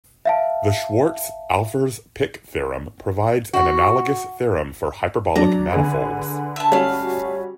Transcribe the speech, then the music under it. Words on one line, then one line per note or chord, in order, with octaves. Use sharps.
The Schwarz-Ahlfors-Pick theorem provides an analogous theorem for hyperbolic manifolds.
E5 F5 A5
F#4
F#3 D4 A#5
D3 G#4 B4
E5 A5
G3 A3 C#4 F#4 F5